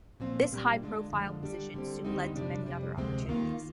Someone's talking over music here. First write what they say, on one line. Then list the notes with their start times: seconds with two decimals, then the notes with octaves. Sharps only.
This high-profile position soon led to many other opportunities.
0.20 A#2 F3 C4 F4
0.51 A#2 G3 A#3 D4
0.82 D3 G#3 D4 F4
1.12 F2 D3 F3 G#3
1.43 D3 G3 D4
1.74 D3 G3 C4
2.04 D2 D3 G3 C4 D#4
2.36 F2 C3 G3 D4
2.66 F2 C3 G3
2.97 D2 C3 F3 G#3 C4
3.27 D#2 D#3 A#3 F4